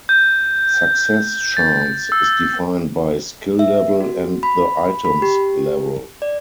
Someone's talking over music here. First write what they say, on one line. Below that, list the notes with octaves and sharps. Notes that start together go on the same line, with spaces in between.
Success chance is defined by skill level and the item's level.
G6
A6
E6
E5
F#4
B5
B5
G4
D5